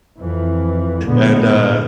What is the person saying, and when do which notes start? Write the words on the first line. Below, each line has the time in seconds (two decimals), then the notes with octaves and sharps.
And, uh
0.19 F2 E3
1.05 A#1 A2 D3 G#3 B3